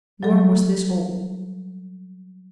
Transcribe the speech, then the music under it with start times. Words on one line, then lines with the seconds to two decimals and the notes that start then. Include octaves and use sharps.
Nor was this all.
0.23 F#3 G3 A4